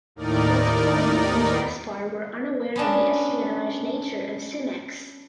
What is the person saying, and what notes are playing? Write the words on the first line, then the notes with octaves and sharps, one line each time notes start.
Both Corbin and Jaspar were unaware of the espionage nature of Simex.
D#2 A2 D#4 A#4 D5
B3 C#4 D4